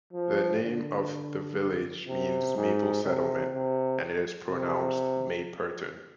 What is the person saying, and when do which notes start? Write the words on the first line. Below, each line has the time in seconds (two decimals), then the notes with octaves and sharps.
The name of the village means "maple settlement" and is pronounced "Mayperton".
0.13 F3
0.63 D3
2.08 C3
2.57 G#2
3.05 C3
3.54 C3
4.50 C3